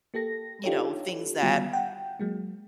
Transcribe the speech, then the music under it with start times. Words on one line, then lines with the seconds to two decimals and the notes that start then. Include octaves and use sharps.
you know, things that
0.14 A#3 G4 A4 A#6
0.64 D4 D#4 F4 G4 A4 C#5
1.41 D3 D#3 G3 B3 F4 F#4
1.73 F#5 G5
2.19 F#3 G#3 A#3